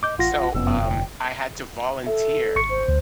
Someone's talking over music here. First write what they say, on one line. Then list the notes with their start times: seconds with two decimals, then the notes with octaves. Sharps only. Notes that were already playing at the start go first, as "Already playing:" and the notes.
so, um, I had to volunteer
0.03 D#5 D6 G6
0.18 A1 F4 F#5 A#6
0.54 F1 F#2 B3 E6
0.79 G1 G5
2.07 A4 E5
2.56 G#1 C#6 C#7
2.70 C5
2.88 D2